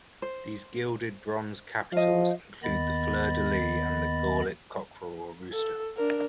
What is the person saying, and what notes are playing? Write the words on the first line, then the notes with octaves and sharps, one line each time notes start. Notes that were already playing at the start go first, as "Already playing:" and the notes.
These gilded bronze capitals include the fleur-de-lys and the Gallic cockerel or rooster.
C5
F3 D#5 F5
D#2 D#3 B3 D#5 B5 A6
A4
D4 A#4